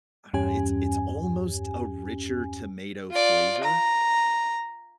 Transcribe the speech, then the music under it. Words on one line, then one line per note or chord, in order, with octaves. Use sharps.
I don't know, it's it's almost a richer tomato flavor.
E2 G2 C#4 G4 G#5
F4 D5
A#5